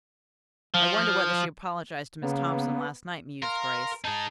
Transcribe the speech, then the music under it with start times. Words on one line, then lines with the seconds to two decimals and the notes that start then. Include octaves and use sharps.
"I wonder whether she apologized to Miss Thompson last night," mused Grace.
0.74 F3
2.23 C#3 A#3 B3
3.42 A#4 F5 C6
4.05 D#4 G#4 A5